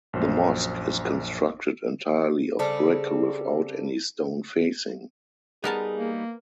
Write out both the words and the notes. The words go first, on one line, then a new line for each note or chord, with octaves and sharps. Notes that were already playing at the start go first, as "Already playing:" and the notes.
The mosque is constructed entirely of brick without any stone facing.
A#1 F#2 C5
C#3 G3 C4 A4
G3 B3 D#4 G#4 A#4 A5
A#3